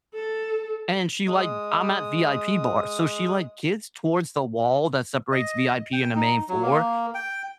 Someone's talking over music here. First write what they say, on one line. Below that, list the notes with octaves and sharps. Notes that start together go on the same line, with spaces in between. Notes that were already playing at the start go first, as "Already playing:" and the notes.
And she like I'm at VIP bars. So, she, like, gets towards the wall that separates VIP and the main floor.
A4
G#3 D#6
D#5
G5
D#4
F#3
A#3
G5